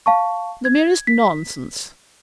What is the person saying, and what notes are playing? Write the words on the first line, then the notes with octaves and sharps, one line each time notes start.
'The merest nonsense.'
F5 A5 C#6
G#6
B6